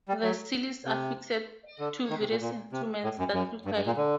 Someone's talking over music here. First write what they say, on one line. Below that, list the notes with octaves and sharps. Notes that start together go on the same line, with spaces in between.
The seal is affixed to various instruments that require it.
G3
F#3
C3
D3
D#3
C3
A#2
A#2
C3
A2
F#2
F#2
G2
G2
A#2
D3